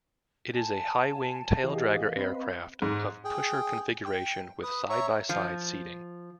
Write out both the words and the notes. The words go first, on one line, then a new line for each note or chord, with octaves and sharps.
It is a high-wing taildragger aircraft of pusher configuration with side-by-side seating.
G#5 A5
E3 G4 G#4 D#5 F5
C4 B4
G#2
G#4 G5
G5
B4 D#6
C#5 E5 A#5 C#6
F3